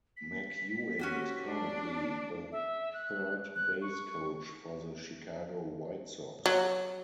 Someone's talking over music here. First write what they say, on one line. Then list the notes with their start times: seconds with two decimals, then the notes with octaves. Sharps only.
McEwing is currently the third base coach for the Chicago White Sox.
0.17 B6
0.99 C#4 F#4 G4
1.45 D4
2.52 E5
2.93 F#6
3.55 F#6
3.82 C#6
6.46 F#3